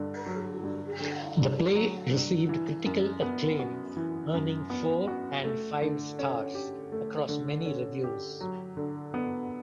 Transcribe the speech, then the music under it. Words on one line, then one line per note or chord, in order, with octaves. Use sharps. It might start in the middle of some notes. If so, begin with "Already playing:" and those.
The play received critical acclaim earning four and five stars across many reviews.
Already playing: G2 D3
F#3
G2
D3
G2
F#3
G2
E3
F#2
B3
F#4
E3
F#2
B3
F#4
A3
D3
C#4
G4
A3
D3
C#4
G4
F#3
D3
B3